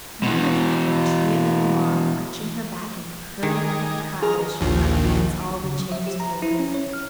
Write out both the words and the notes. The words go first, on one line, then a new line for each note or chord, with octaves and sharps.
Mamma Cat went trailing along, arching her back and purring with pride as she rubbed against all the chairs and doors.
B2 E3
D#3 G3 D#4 G#4
D#3 G#4 A#4 F6
A#1 D#2
C#3
F#3
E5
G4
A#5
E4
C#4
C#5
F6